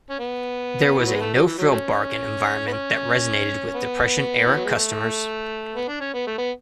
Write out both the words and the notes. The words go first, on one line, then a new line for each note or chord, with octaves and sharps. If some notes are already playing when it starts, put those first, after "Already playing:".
There was a no frill bargain environment that resonated with depression era customers.
C#4
B3
E3
F#3
G#3
A3
F#3
E3
F#3
F#3 A3 C#4
B3
C#4
B3
E3
F#3
G#3
A3
B3
D4
C#4
B3
A3
B3